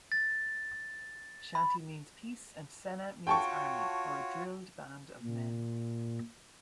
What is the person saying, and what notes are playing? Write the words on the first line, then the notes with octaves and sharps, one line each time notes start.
Shanti means peace and Sena means army, or a drilled band of men.
A6
B5
F4 F#4 C#5 G5 A5 C#6
A#2